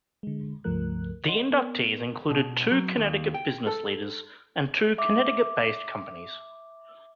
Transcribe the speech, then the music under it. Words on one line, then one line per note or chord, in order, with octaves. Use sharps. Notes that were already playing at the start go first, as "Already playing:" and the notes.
The inductees included two Connecticut business leaders and two Connecticut-based companies.
D3 G#3
C#2 G2 F3 A3 A#4 F#6
C#5 D#5 F#5 C6
B3 A#4
B2
F#3
D#2
G5
A4
E5 D6